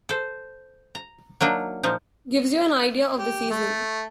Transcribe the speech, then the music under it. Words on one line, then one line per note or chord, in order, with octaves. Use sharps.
Gives you an idea of the season.
A4 C5
A#5
F#3 A#3 D4 D#4
A#2 F3 D#4
G4
A3